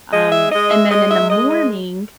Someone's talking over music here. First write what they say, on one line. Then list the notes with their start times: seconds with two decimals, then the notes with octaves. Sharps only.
um, and then in the morning,
0.13 G#3 D#5
0.32 E5
0.52 G#3 D#5
0.71 E5
0.91 G#3 D#5
1.10 E5
1.30 G#3 D#5
1.50 D#5